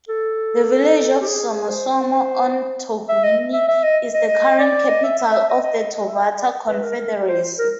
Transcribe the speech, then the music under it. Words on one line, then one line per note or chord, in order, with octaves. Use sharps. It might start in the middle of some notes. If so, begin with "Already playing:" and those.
The village of Somosomo on Taveuni is the current capital of the Tovata Confederacy.
A4
G4
G#4
G#4
C5
E5
D#5
E5
E5
D#5
D#5
D#5
D5
D#5
E5
E5
E5
D#5
D#5
D#5
D#5
E5
D5
B4
A#4
A#4
C5
A#4